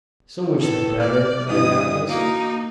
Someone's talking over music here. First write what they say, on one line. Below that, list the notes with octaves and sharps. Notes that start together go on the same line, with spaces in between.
"So much the better," muttered Athos.
A2 A4 B4
D5 F6
G2 D3 E3 D#5 D#6
A#3 D#4 F#4